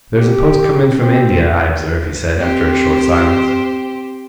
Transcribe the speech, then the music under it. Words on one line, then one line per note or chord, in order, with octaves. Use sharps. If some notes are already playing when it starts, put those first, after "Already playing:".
'There is a post come in from India, I observe,' he said, after a short silence.
G4
C4
C4 G4 C5